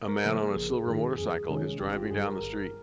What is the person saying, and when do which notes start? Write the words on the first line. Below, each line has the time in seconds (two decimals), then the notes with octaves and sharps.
A man on a silver motorcycle is driving down the street.
0.09 A#4
0.24 C#3 F3 A#3 C5
0.40 G#4
0.56 A#1
0.87 G#2 D#3
1.18 F2 G#4
1.49 C3 D#3 G#3 C#4
1.80 G1 G4
1.96 F4
2.11 G2 G3 G#4
2.26 A#4
2.42 G1